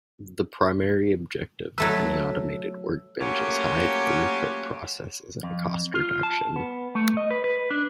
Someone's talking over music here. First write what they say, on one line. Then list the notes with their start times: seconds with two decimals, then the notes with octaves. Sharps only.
The primary objective of any automated workbench is high-throughput processes and cost reduction.
1.78 F#3 A3 B4 E6
3.20 F#3 A3 A#3 C#4 F4 G4
5.43 F2
5.94 F4
6.23 A5
6.56 B3
6.95 A3
7.17 D#5
7.31 B4
7.44 B4
7.70 D4